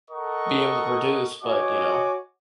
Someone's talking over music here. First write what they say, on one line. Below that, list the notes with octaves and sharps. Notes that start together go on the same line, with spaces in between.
be able to produce, but, you know,
A4 A#4 D#5 F#5 C#6
F#4 C#5 D#5 G#5 D6